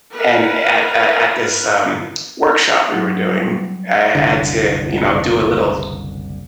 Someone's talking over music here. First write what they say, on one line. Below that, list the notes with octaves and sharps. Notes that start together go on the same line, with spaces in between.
and at at at this, um, workshop we were doing, I had to, you know, do a little,
A#4 B4
F#3
G3
F#1 C2 D3